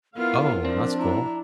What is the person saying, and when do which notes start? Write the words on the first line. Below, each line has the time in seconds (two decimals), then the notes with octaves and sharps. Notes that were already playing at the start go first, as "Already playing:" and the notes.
Oh, that's cool.
0.16 B3 E4 F4 A#4 F5
0.65 F3 C4 D4
0.98 E4 A#5